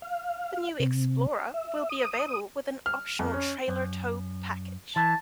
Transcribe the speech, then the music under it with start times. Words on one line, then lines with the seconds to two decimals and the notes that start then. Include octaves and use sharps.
The new Explorer will be available with an optional trailer tow package.
0.02 F5
0.80 C3
1.54 E5
1.89 D#6
2.86 F6
3.19 F2
3.34 C#4
3.68 F#2
4.96 E3 A5